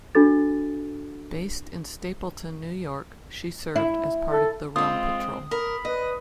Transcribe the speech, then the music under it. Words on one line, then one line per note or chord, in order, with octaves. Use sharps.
Based in Stapleton, New York, she served as part of the Rum Patrol.
D4 F#4 A4 A6
E4
A4
G#3 C4 F4 D#6
A#4 B5
B4 D#5